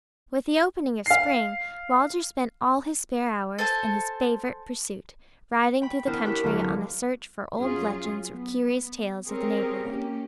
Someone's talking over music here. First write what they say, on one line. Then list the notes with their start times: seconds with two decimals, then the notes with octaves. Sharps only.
With the opening of spring Walter spent all his spare hours in his favorite pursuit, riding through the country on a search for old legends or curious tales of the neighborhood.
1.06 F5 C7
3.59 A4 C5 G#5 A5
5.82 G5 B5
6.07 B3 C4 D4 E4 A#4 C5
6.24 E4 G4 B4 C#5
6.43 D2 F#3 A#3 B4
7.59 F#2 F#3 C#4 F4 G#4
8.31 B3
9.26 C4 G4 G#4 A#4 C#5
9.89 A#3 C#4 G4